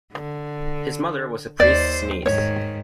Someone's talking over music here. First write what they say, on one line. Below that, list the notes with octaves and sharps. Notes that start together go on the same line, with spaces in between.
His mother was a priest's niece.
D3
D#2 C5 D5
G#2 D#3 C#5